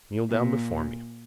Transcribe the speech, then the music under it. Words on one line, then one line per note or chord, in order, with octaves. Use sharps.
Kneel down before me.
A#2